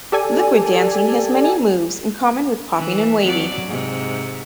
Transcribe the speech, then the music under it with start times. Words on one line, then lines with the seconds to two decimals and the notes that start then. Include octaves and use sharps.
Liquid dancing has many moves in common with popping and waving.
0.12 G4 A4 D5 G#5
2.78 E3
3.23 F2 F#3 D5
3.66 G#2 C3